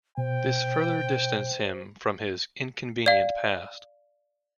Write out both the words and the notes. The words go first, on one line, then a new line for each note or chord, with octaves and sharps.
This further distanced him from his inconvenient past.
B2 C5 G5
D5 F5